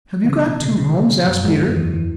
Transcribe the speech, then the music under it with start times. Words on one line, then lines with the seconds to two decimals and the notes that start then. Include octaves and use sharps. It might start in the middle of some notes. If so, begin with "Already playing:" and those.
"Have you got two homes?" asked Peter.
0.25 E3
0.29 C#3
0.46 B2
0.62 C#3
0.78 C#3
1.12 C#3
1.27 F#2 F#3
1.44 G#2 G#3
1.60 F#2 F#3
1.76 E2 E3
1.93 E3